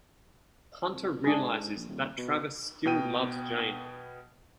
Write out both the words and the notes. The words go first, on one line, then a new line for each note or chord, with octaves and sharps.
Hunter realizes that Travis still loves Jane.
C2
G#2 D4 G#4
A#1
D#1
B2
B2 B3 G5 D#7